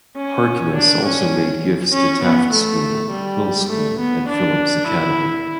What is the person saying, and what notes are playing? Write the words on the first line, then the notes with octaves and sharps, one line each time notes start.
Harkness also made gifts to Taft School, Hill School and Phillips Academy.
C#4
D4
C#4
C#4
B3
A3
G3
A3
B3
D4
E4